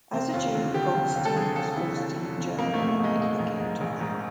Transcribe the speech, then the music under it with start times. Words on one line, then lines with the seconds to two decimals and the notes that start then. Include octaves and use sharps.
As a Jew, Goldstein was forced to leave Germany when Hitler came to power.
0.13 F1 C4
0.34 D#2 F4
0.55 D3
0.74 D3 G4
0.94 F1
1.15 D#2
1.25 A4
1.36 D3 G#4
1.56 D#2 A4
1.76 F1 E4
1.97 D#2
2.17 F1
2.37 F1
2.57 G#2 A#3
2.74 A#1 A3
2.88 A3
2.99 G#2 G#3
3.20 A#1
3.39 A#1
3.59 G#2
3.81 A#1
4.01 G#2